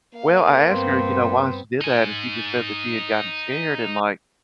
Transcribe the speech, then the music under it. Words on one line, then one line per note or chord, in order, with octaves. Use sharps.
Well, I asked her, you know, why she did that and she just said that she had gotten scared, and, like
A#3 F5
G2 B3 C4 C6
D#4 G#5